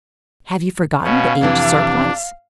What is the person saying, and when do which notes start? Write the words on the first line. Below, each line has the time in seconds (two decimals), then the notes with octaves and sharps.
"Have you forgotten the inked surplice?"
1.04 B2 C#4 F5
1.41 F2 C3 E3 D4